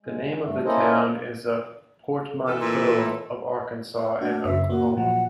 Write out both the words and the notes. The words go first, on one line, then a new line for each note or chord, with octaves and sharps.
The name of the town is a portmanteau of Arkansas and Oklahoma.
G#3
G2 A3
A#3 C#4 E4 A4 C5 D#5
E3 A4
A#2
A3 D4 F#4
F#2 C#3 E5
A#3 F#4
A#2 F3 F#3 F#5